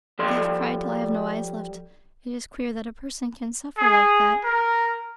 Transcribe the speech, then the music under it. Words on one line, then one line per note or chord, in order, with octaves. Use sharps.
I have cried till I have no eyes left. It is queer that a person can suffer like that.
F3 G3 A4 D5 C6
G#4
A#4